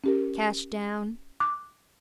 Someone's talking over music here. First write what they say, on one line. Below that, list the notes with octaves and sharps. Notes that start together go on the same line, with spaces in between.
"Cash down?"
C#4 G4 A#4
D6 F#6